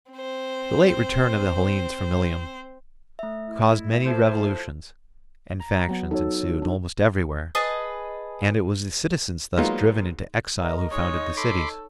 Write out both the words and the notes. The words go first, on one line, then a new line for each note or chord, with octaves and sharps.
The late return of the Hellenes from Ilium caused many revolutions, and factions ensued almost everywhere; and it was the citizens thus driven into exile who founded the cities.
C4 C5
A3 E5
E4
F3 A4 C5
A#5
F#3 B3
D#4 F#4 A4 C#5
D4
G#4 B4 D#5 A5
F#3 G#3 A#3 B3 D#4 F4
A#4 D#5
G#3 D#4 C#5
A4 B5 C6 D6